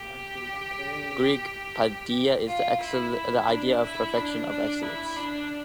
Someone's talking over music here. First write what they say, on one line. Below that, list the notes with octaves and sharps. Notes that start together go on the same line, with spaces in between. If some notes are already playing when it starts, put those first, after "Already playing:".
Greek paideia is the idea of perfection, of excellence.
Already playing: G4
F4
E4
E4
D4
E4
D4
D4
E4
D4